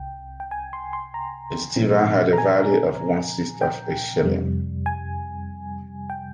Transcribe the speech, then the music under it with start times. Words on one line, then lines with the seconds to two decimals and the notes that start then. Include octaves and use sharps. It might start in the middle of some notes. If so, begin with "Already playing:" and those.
A stiver had a value of one sixth of a shilling.
Already playing: C2 C3 G5
0.40 G5
0.51 G#5
0.73 C6
0.93 C6
1.14 A#5
1.76 A#2 F3 C4
2.33 A#5
2.38 G#5
3.62 G5
4.24 F2 C3 G3
4.86 G#5
6.10 G5